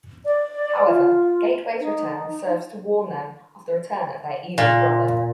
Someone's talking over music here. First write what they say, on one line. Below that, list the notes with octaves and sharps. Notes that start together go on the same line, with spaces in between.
However, Gateway's return serves to warn them of the return of their evil brother.
D5
F4
D#4
A#2